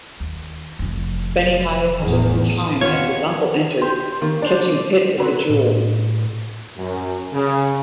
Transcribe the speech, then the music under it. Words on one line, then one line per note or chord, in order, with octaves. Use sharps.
Spennie hides just in time as his uncle enters, catching Pitt with the jewels.
D#2
F1 F3
E2 A2
D#2 B3 F4 C#5
G4 C6
D#3 A#3
D4 C5 D5
D3 F#3 C4 F#4 B4
A2
F#2
C#3